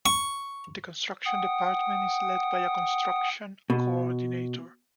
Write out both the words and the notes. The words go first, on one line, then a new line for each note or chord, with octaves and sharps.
The construction department is led by a construction coordinator.
C#6
F#5 G5 D#6
B2